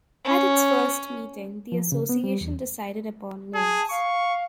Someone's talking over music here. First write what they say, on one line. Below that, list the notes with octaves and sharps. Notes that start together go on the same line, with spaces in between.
At its first meeting, the Association decided upon names.
C#4
F3
C#3
B3
G3
E2
G#4 A5
F5 C#6